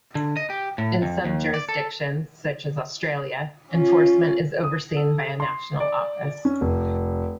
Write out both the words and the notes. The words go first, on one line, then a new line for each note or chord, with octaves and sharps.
In some jurisdictions, such as Australia, enforcement is overseen by a national office.
D3
D#5
G4
A2
F2
D#2
D5
A4
C#4 F4
D#6
A4
C6
D5
C#4
F1